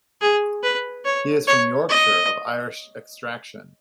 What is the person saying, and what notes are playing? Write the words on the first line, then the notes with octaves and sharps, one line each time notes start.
He is from Yorkshire, of Irish extraction.
G#4
B4
C#5
C#5
D#5